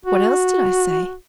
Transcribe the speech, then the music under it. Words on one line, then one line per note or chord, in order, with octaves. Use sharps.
'What else did I say?
F#4